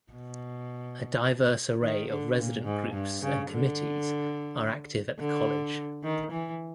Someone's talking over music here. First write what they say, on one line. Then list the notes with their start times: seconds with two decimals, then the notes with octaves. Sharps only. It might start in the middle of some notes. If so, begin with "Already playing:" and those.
A diverse array of resident groups and committees are active at the college.
0.12 B2
1.81 D#3
2.09 D3
2.38 A#2
2.65 G#2
2.93 G2
3.22 C#3
3.50 D3
5.19 D3
6.04 D#3
6.31 E3